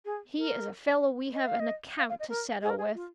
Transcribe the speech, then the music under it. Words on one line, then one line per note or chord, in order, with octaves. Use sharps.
"He is a fellow we have an account to settle with."
G#4
A#4
D#5
F5
D#5
F5
F5
D#5
A#4
G#4
A#4
G#4
F4